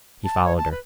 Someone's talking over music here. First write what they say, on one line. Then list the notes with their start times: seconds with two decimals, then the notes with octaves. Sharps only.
He followed her.
0.24 A5
0.45 C#5
0.57 A5
0.71 B4